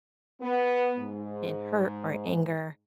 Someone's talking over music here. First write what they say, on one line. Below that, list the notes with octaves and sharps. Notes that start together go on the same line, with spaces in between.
in hurt or anger,
B3
G#2